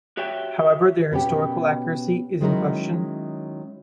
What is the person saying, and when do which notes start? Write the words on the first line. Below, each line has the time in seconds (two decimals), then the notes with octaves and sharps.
However, their historical accuracy is in question.
0.17 F#4 G4 C#5 E5 G5
1.12 B2 B3 C#4 G4
2.41 D#3 F#3 G#3 C#4 E4 A#4